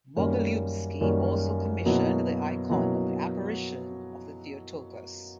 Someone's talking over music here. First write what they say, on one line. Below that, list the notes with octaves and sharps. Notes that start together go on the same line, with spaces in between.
Bogolyubsky also commissioned the icon of the apparition of the Theotokos.
F#2 D#3 G3 A#3 C#4
F#2 D#3 G3 A#3 C#4
B2 F#3 A#3 C#4 E4
B2 F#3 A#3 C#4 E4